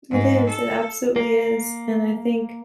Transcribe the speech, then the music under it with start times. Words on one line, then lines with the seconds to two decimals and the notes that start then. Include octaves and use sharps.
It is, it absolutely is, and I think
0.11 G#2
0.49 A4
1.16 A#3